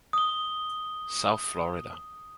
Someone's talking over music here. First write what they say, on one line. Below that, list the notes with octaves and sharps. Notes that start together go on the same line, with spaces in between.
South Florida.
D#6 G7